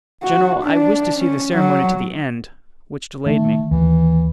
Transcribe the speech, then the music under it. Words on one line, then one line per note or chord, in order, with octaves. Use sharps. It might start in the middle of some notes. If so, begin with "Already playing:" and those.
"General, I wished to see the ceremony to the end, which delayed me."
F#4
D4
C#4
F#3
D#3 A3
D#2 E3